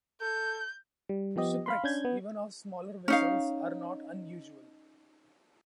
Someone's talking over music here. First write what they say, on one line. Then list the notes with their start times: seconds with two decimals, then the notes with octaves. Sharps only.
Shipwrecks, even of smaller vessels, are not unusual.
0.21 A4 G6
1.09 G3
1.36 F3 B3 G4 D#5
1.66 F5 B5 C6
1.84 C#4 D4 G6 G#6
2.05 B3
3.08 C#4 D#4 F5